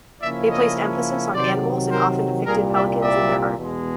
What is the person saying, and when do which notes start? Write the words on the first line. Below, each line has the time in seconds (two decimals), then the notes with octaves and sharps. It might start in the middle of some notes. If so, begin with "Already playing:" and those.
They placed emphasis on animals and often depicted pelicans in their art.
0.21 C#3 F3 A#3 C#4 E4 D5 E5
0.49 C#5 D#5
1.33 C3 D#3 F#3 C5 D5
1.90 A#4 C5
2.45 C2 A#2 G3 G#4 A#4
2.74 D5 E5
3.02 D5 E5
3.58 E2 B2 G#3